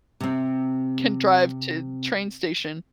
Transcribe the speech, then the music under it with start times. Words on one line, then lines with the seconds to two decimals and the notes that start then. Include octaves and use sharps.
can drive to the train station
0.20 C3 C4